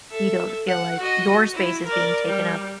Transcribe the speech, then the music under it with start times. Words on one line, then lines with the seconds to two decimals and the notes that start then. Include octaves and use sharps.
you don't feel like your space is being taken up
0.11 A4 E5
0.67 F#5
0.98 F#4 D#5
1.54 E4
1.86 A#4 D5
2.27 G3